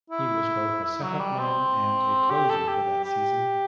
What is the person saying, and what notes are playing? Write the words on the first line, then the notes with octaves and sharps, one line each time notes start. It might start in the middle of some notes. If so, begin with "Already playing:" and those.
He was both a setup man and a closer that season.
E4
E4
F#3
G3
C4
G4
A4
G4
G4